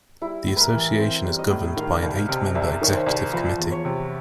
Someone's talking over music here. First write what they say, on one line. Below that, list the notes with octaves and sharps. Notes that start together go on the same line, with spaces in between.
The association is governed by an eight-member Executive Committee.
G3 E4
A2
A#4 B4
E3
C4
G3
D#5
A2
D#3 F5
C2
F5
C3
C2 E5
D#3 C#5
C5
C2
F3 B4
E2
C#5
C3